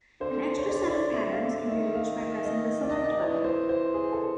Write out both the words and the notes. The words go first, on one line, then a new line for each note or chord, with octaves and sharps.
An extra set of patterns can be reached by pressing the "Select" button.
D3 C5
C#5
D5
C#5
D5
C#5
E5
F5
E5
D#3 E5
F5
E5
D#5
D5
D#5
D5
D#5
D5
E3 C#5
C5
C5
G#4
A4